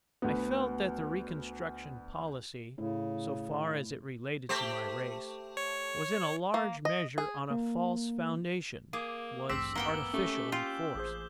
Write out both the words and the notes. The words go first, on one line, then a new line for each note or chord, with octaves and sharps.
I felt that the Reconstruction policy, so far as it related to my race, was in a large measure on a false foundation, was artificial and forced.
D2 B3
A2 C#3
A3 G4 C5
C#5
A#3
D#5
G#4
A#3
A#3 G#4 D6
A1 D2 G2 C4 D6 E6 B6
A#3 B3 F#5 G5 G7
A3 C#4 G4
F4 G5 G6
A1 G#4 C5